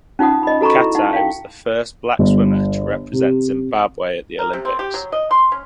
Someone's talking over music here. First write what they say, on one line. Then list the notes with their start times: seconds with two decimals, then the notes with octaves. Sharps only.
Katai was the first black swimmer to represent Zimbabwe at the Olympics.
0.19 C#4 D#4 F4 F#5 D#6
0.43 D#5 B5
0.61 F#4 A4 A#5 B5 C#6
0.77 E4
0.95 D#4 E4 F#5
1.13 F5 G5
2.19 G1
3.13 C3
4.39 A#4
4.53 C3
4.65 C4
4.79 G4
4.94 F#3
5.12 D#5
5.31 C6
5.52 C#4